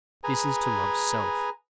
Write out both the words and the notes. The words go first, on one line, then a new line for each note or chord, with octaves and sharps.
This is to love self.
G#4 B4 G#5 A#5